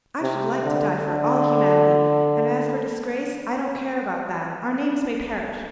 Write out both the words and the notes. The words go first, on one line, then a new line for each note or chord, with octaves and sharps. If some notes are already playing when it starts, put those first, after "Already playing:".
I should like to die for all humanity, and as for disgrace, I don't care about that--our names may perish.
C3
D3
D3